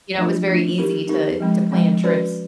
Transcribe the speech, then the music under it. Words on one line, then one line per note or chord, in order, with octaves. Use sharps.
you know, it was very easy to to plan trips
F3 A3 D4 F4
F3 A3 D4 F4
C4 D#4 G4 A#4
C4 D#4 G4 A#4
F3 G#3 C4
F3 G#3 C4
C#4 F#4 B4 D5